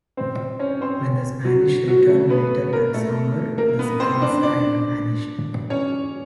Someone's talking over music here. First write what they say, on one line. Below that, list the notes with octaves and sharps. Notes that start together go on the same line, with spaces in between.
When the Spanish returned later that summer the cross had vanished.
C4 C5
C#4 C#5
C4 C5
F#3 F#4
F#3 F#4
A3 A4
B3 B4
A#3 A#4
A3 A4
A#3 A#4
B3 B4
C4 C5
D4 D5
D4 D5
C#4 C#5